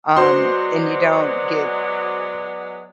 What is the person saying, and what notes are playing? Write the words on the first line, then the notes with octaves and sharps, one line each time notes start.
um, and you don't get
F#3 G#3 B3 F#4 C5 D5 C6